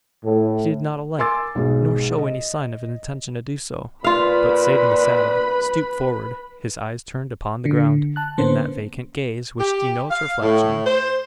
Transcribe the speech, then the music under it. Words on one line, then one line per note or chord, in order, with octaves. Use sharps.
He did not alight, nor show any sign of an intention to do so; but sate in the saddle, stooped forward, his eyes turned upon the ground, in that vacant gaze which denotes reflection.
A2
A#4 G#5 C6 D6 E6 A6
B1 G#2 B2 G#3
D#5
A#2 F4 B4 F5 B5
D3
A5 F#6
D3 A#3 B3 C#4 C5
G4
F5
A2
C5